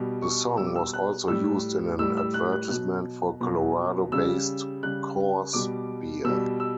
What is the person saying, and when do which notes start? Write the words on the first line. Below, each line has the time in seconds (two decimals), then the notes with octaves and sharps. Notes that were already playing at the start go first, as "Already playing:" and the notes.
The song was also used in an advertisement for Colorado-based Coors beer.
Already playing: B2 G3
0.22 C#6
0.57 B2 G3 E6
0.67 D6
0.75 E6
0.93 F#6
1.28 A2 G3 E6
1.99 A2 G3 E6
2.17 E6
2.34 F#6
2.52 F#6
2.69 B2 F#3 F#6
3.41 B2 F#3
4.12 C#3 G3 E6
4.83 C#3 G3 F#6
5.53 B2 G3 D6
6.24 B2 G3 E6
6.60 E6